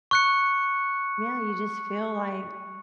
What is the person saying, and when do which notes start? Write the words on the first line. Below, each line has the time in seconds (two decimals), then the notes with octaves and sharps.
Yeah, you just feel like
0.11 C#6 F#6 C#7